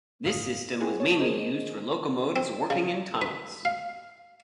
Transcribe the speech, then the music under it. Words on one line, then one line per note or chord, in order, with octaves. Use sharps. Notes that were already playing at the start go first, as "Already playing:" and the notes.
This system was mainly used for locomotives working in tunnels.
G1 F2 A2 D3 F5 D#6
C4 E4 F#4 G#4 A#4
C#5 A5
G#4 A#4 C5 D#5 E7
C4
C#3
B4
F5